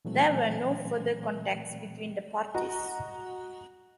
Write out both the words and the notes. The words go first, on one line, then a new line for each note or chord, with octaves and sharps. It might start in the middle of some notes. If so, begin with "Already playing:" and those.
There were no further contacts between the parties.
A#2 E3 F#3 A3 C4
F#4 D#5 A#5